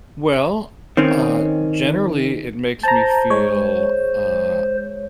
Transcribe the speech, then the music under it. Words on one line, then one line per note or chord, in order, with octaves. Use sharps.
Well, uh, generally, it makes me feel, uh,
D#3 C4 C#4
C5 A5 A#5
G#3 C#5